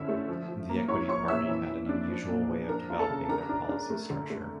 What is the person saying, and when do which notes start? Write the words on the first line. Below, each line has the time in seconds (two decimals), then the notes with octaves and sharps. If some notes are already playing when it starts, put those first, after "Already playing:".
The Equity Party had an unusual way of developing their policy structure.
Already playing: D3 C#4 E4 E5 E6
0.08 A3
0.28 F3
0.48 F3
0.69 A#3
0.88 E4 C#5 C#6
1.09 F3 C#5 C#6
1.28 A#2 E5 E6
1.48 E3
1.69 E3
1.89 D4
2.09 F3
2.29 A#2
2.49 F3
2.69 D4 A#4 A#5
2.90 F4
2.99 A4 A5
3.10 C#3
3.29 D4 A#4 A#5
3.49 D4
3.69 D4
3.90 A3
4.10 D3
4.30 A3